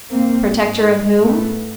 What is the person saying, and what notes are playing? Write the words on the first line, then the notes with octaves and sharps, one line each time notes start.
Protector of whom?
G#2 A#3 C4
A3 B3